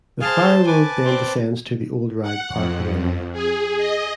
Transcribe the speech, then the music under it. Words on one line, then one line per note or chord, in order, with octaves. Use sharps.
The Fire Road then descends to the Old Rag parking area.
G#4 C5 F5 A5 F6
B4 G#5 A5 D6
C4 D5
F#5
F2
G#4
D#5